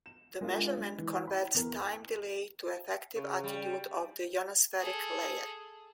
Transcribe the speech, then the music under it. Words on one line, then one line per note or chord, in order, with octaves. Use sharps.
The measurement converts time delay to effective altitude of the ionospheric layer.
E7
G#3 A#3 D4 F4
G#3
E3
B5
E2 A#4
C#3
G3
G#4 A4